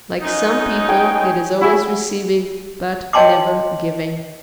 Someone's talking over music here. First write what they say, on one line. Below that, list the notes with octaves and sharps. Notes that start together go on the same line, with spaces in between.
Like some people, it is always receiving but never giving.
F#2 D#4
C#5 G5 G#5
E4 F#4 G#4
C#5 D#5 G5 A5 C6 D6